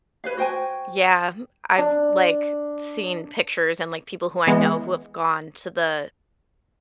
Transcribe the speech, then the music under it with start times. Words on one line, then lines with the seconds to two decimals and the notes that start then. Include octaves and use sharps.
M Yeah. Hmm I've, like, seen pictures and, like, people who I know who have gone to the,
0.24 B4 C#5 F5
0.37 F#4 C5 G5 G#5
1.78 D4
4.47 E3 G#3 B3